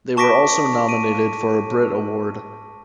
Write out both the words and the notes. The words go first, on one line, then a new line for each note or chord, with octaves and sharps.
They were also nominated for a Brit Award.
A5 C#6 D6 A#6 B6 D7
D7 D#7